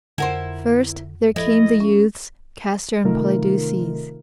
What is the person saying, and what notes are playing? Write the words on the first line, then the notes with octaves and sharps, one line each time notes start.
First there came the youths Castor and Polydeuces.
F2 D3 E4 A#4 C5 F#5
F3 E4 A4 D#5
C#4
C3 D#3 A3 D#4 F4 A#4